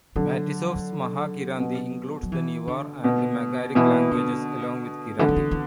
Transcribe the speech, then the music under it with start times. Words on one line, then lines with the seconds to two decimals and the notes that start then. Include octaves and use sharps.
Matisoff's Mahakiranti includes the Newar and the Magaric languages along with Kiranti.
0.16 D3 F#3
1.60 B2
2.23 F#3
2.32 E3
2.67 D3
3.04 B2
3.75 B2 E3
4.11 D3
5.19 D3 E3
5.29 F#3
5.36 E3
5.51 E3